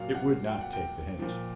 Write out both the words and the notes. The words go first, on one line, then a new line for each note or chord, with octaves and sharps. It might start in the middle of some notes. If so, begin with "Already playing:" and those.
It would not take the hint.
Already playing: A#2 F#3 F5
F#5
G5
F#5
G5
A#2 F3